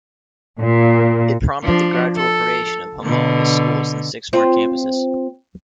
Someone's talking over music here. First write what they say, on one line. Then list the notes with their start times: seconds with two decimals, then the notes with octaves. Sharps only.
It prompted the gradual creation of homologous schools in six more campuses.
0.59 A#2
1.63 F3 D4
2.16 A4
3.03 B2 D3
4.33 C4 F4